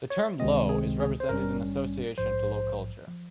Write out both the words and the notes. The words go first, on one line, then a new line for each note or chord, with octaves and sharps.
The term "low" is represented in association to low culture.
C#5
C#2 C3 D#3 G#3 C4 D#5
G#4
G#4
C5
G#1 G2 G3 C#4 A#4
A#1 G#2 F3 C5
F3